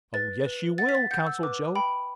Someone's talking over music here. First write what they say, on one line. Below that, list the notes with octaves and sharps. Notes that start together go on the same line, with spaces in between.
"Oh, yes, you will," counseled Joe.
B4 A6
B4
F#5 A6
B6
A6
F#5 G6
E6
B4 D6
G5 B5